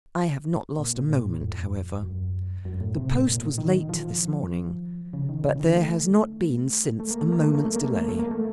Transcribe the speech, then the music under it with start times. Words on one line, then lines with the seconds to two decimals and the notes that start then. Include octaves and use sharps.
I have not lost a moment, however. The post was late this morning, but there has not been since a moment's delay.
0.79 A#2
1.09 A2
1.41 F2
2.02 F#2
2.65 F#2
2.81 A2
2.96 C3
3.12 A2
3.27 A#2
3.58 D#3
3.89 F3
5.13 C#3
5.29 D#3
5.44 C#3
5.56 C#3
5.59 D#3
5.75 A3
7.00 A3
7.11 A#3
7.21 A3
7.32 A#3
7.44 A3
7.55 A#3
7.65 A3
7.76 A#3
7.87 A3
7.98 A#3
8.09 A3
8.19 A#3
8.31 A3